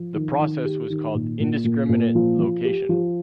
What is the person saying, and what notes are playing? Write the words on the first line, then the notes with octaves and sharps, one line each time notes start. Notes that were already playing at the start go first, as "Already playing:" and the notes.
The process was called 'indiscriminate location.
Already playing: F3
D#3
D#3
G4
D#3
A#2
A#2
A#2
A#2
F3
F3
G4
F3